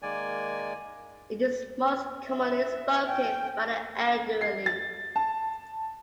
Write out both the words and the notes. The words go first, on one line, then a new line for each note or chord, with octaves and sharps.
It is most commonly spoken by the elderly.
D#3 G#3 A#3 D5 G#5
E5
G5
C7
A6
A5